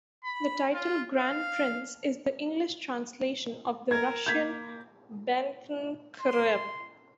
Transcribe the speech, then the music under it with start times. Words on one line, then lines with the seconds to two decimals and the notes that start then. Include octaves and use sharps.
The title "Grand Prince" is the English translation of the Russian "Великий князь".
0.24 B5
0.74 F4
1.19 F5
3.91 A#4 G#6
4.26 A#3 G6 G#6 B6
6.19 C6